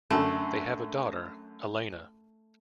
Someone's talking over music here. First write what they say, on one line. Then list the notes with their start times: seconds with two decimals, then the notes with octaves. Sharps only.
They have a daughter, Elena.
0.10 F#2 D3 A3